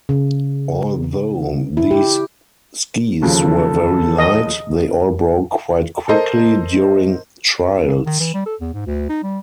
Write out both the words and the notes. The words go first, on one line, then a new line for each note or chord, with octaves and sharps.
Although these skis were very light, they all broke quite quickly during trials.
C#3
E4
G4
D#2 C#3 F3 A4
D#5
A4 A#4 C5 D#5 A5
D#3
E3
G3
A4
E2
G#2
D2
D#4
G3